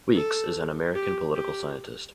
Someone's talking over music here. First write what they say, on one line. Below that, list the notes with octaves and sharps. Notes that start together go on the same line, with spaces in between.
Weeks is an American political scientist.
A4
G4
G4